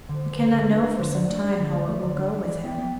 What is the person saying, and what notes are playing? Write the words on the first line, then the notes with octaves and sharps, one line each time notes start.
We cannot know for some time how it will go with him.
D3 C5
D3
D3 B4
D3 A4
D4 B4
D4
C5
D3
D4 D5
A3
D4
D3
A3
A3
D3
D4
E3 D5
E3
B3 G5
B3